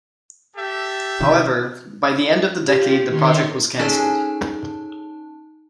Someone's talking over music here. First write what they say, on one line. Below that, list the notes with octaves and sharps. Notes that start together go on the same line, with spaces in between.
However, by the end of the decade the project was cancelled.
G4 A4 E5
C3 D#3 F3
F4 G4
D#3 C#5 C6
C#4 D#4 G#4 A4 A5